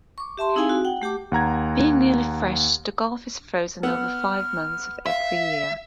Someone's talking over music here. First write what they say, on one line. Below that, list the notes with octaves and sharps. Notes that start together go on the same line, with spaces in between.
Being nearly fresh, the gulf is frozen over five months every year.
C#6 D6
G4 E5 A5 C6
C4 D#4 E4 G#4 F5 G#5
F#4
F#5 G5
A3 G4 A5 D6
D#2 F#5 A#5 G#6
B3 F#5 E6 F6
E5 F5